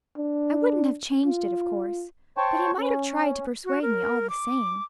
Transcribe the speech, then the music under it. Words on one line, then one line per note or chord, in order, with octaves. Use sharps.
I wouldn't have changed it, of course; but he might have tried to persuade me all the same.
D4
F4
C5 C#5 G5 A5 C#6
C#4
F#4
A#4
D6